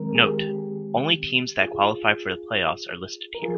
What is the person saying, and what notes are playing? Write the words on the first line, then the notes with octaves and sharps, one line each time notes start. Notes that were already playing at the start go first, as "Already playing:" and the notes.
Note: Only teams that qualified for the playoffs are listed here.
Already playing: D#3 G#3 C4 A#4
G#4
G4
F4 G#4
A#4
F3 F4 G#4